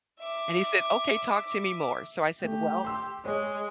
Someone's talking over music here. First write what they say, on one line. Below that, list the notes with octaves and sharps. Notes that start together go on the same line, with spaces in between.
and he said, "Okay, talk to me more," so I said, "Well,"
E5 D6
A3 G4
C6 E6
G#3 C#5